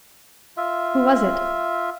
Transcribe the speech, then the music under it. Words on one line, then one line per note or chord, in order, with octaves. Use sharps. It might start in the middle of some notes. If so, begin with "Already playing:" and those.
"Who was it?"
F4 E5